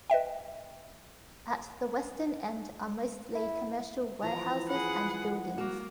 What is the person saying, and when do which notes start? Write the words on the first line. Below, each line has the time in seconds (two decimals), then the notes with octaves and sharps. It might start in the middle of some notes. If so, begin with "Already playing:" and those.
At the western end are mostly commercial warehouses and buildings.
0.10 B4 D#5 E5 G5
3.35 E4
4.22 E3 F3 A#5
4.68 G#4 F#5 B5
5.26 F#5
5.58 A#3 F#4